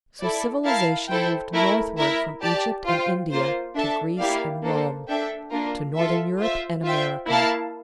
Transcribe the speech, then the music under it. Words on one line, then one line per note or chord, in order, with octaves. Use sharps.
So civilization moved northward from Egypt and India to Greece and Rome, to northern Europe and America.
E4 A4 D5
E4 A#4 F5 A5
E4 A4 C5 G5
A3 E4 A#4
E4 A#4 E5
G4 D5 A5
F4 C5 G5
A#3 F4 C5
D4 A4 E5 A5
A#3 E4 G4 D5 F5
A#3 D4 A4 C5
D4 A4 E5 G5
A#3 D4 F4 A#4
F4 A4 E5
F4 C5 E5
F4 C5 E5 G5
A#3 E4 A#4 F5 A5